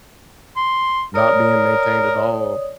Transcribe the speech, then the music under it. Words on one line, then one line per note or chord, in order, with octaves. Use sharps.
not being maintained at all,
C6
A#4 C#5 D5 D#6